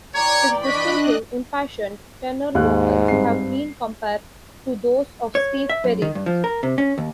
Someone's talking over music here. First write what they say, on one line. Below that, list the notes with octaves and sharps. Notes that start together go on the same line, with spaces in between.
His distinctive, impassioned tenor vocals have been compared to those of Steve Perry.
E3 C#5 D5 G5 A#5
D4 D#5 B5 C#6 F#6
D#2 G#2 F#6
G2 C4 C7
C#5
E5
F#2
D#3
G2
F3
A#4
C3
C#4
D#2